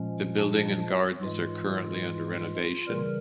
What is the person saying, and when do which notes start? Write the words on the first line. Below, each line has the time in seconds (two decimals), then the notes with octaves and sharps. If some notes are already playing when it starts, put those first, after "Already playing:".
The building and gardens are currently under renovation.
Already playing: A#2 F3 G#3 C#4
0.38 D4
1.22 G#2 E3 G#3 F4
2.88 C#3 E3 G3 A#4